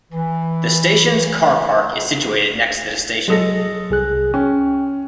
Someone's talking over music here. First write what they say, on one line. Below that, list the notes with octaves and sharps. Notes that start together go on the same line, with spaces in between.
The station's car park is situated next to the station.
E3
F#3 G#3 A4 D#6 A#6
C2 G#4 F#6
C#4 G5